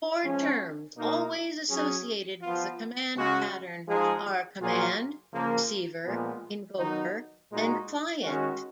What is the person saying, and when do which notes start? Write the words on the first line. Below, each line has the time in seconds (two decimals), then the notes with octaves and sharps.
Four terms always associated with the command pattern are "command", "receiver", "invoker" and "client".
0.24 F3 G#3 C#4
0.97 B2 A#3 D#4
1.70 F#3 C#4 G#4
2.42 F3 B3 F4
3.15 C#3 G#3 C#4 F#4
3.87 F3 G#3 D#4 G#4
4.60 A#2 F#3 A#3 F4 G#4
5.33 C#3 F3 A#3
6.05 A#2 F3 G#3 B3
6.78 D#3 F#3 B3 D#4
7.51 A#2 G#3 D#4 F#4
8.23 D#3 G#3 C#4 F#4